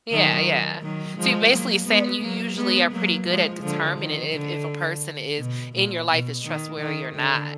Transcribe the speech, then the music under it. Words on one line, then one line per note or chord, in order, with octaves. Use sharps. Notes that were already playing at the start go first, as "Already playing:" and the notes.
Yeah, yeah. So, you're basically saying you usually are pretty good at determining if if a person is in your life is trustworthy or not.
D#3 F#3
D#3 F#3
F3 G#3
F#3 A#3
G#3 B3
F#3 A#3
G#3 B3
F#3 A#3
F3 G#3
D3 F3
D#3
D3
B2
A#2
B2
D#3
D#3
D3